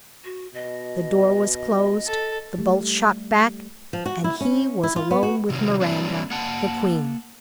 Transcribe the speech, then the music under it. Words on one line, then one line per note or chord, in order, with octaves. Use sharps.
The door was closed; the bolts shot back!--and he was alone with Miranda, the queen.
F#4
B2 D#5
A4
G3 A3
F3
F#4
E4
C#4
E4
F4
B3
F#4
C3 D#3 F#3
F#3 G3 A#3 C4 D4
A#3 F#5 A5